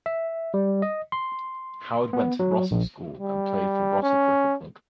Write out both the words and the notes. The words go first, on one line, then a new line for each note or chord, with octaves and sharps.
Howard went to Rossall School and played for Rossall Cricket Club.
E5
G3
D#5
C6
B3
F#3
A#1
G3
C#4